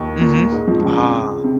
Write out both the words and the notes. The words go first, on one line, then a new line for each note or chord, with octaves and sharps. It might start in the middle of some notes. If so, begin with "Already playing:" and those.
Mhm, ah.
Already playing: D#2 D#3
A#2 A#3
G#2 G#3
F2 F3
C#2 C#3
C3